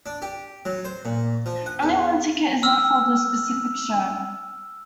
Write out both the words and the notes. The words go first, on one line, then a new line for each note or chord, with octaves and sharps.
Only one ticket is left for the specific show.
D4
G4
F#3
C5
A#2
F3
F#5
E2
E6 F6